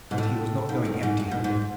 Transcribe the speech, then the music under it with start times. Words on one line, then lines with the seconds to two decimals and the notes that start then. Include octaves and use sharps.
And he was not going empty-handed.
0.11 G#2
0.18 A2
0.69 G#2
0.85 G2
1.03 G#2
1.20 G2
1.31 G#2
1.44 G#2